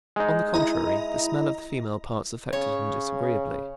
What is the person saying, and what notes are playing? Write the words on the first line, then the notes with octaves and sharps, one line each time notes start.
On the contrary, the smell of the female parts affected him disagreeably.
G#3 D#4
E4 D#5 A#5
C#3 C#5